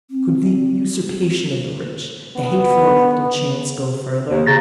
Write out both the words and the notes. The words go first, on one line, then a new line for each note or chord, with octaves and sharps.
Could the usurpation of the rich, the hateful elect of chance, go further?
C4
B3
D#2
C#3 A#5 A6 A#6